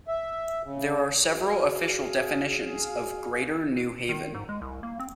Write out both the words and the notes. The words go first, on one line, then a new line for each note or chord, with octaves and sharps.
There are several official definitions of Greater New Haven.
E5
C#3
F#4 G#4 F5
D#3
G#2
G#3
C2
A#3
C4